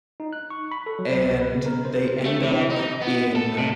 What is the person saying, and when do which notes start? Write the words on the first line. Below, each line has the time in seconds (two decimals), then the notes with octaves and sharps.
and they end up in
0.20 D#4
0.33 F#6
0.50 C#6
0.72 B5
0.86 A4
0.99 F#3
1.17 C2
1.42 B4
1.54 C#3
1.66 A#4
1.85 C5
2.25 A3
2.43 E3
2.70 D#4
3.02 B3
3.36 A4
3.58 C3